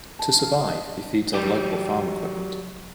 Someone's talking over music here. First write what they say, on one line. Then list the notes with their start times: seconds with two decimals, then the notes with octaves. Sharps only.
To survive, he feeds on local farm equipment.
0.19 A5
0.39 F5
0.60 D#5
1.34 F#3 G4 G5